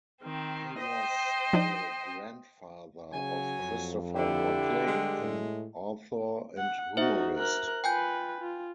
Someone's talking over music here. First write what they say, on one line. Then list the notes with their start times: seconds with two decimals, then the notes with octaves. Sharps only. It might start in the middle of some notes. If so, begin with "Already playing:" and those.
He was the grandfather of Christopher Buckley, an author and humorist.
0.21 D#3 C4
0.78 C5 D#5 G5
1.53 F3 D4 D#4
3.13 C#3 F#3 G#5
3.61 F2
4.15 G2 D3 E4 G4
4.87 G3 G#3
5.20 A2
6.58 F#5
6.97 D#4 F#4 C5 E5
7.38 A#4 F#6
7.84 F4 B4 G5 G#5 G6
8.41 F4